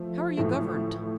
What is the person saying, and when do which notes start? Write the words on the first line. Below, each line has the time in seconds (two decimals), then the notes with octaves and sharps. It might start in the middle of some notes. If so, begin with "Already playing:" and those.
How are you governed?
Already playing: F3 A3
0.37 A2 E3 A3